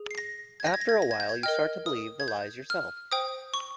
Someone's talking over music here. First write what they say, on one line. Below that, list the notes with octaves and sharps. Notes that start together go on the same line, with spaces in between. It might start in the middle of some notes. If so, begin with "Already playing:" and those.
After a while, you start to believe the lies yourself.
Already playing: G#4
C7
A#6
G#6
A#6
G#6
A#6
G#6
A#6
G#6
G6
G#6
A#4 D#5 G5 F6
D#6
G#6
G6
F6
C5 G5 D#6
C#6